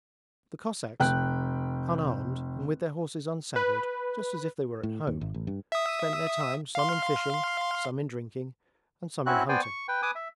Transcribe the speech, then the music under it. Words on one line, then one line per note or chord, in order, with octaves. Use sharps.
The Cossacks, unarmed and with their horses unsaddled just as if they were at home, spent their time some in fishing, some in drinking, and some in hunting.
F1 G5 F#6
B4
A2
D#2
G#1
A1
G2
E5 D#6
F5 C6
C4 C#4 E4 F#4 F#6
B3 C5 D5 G5 G#5
C#6
B4 G5
B4 G#5 D6 D#6
E5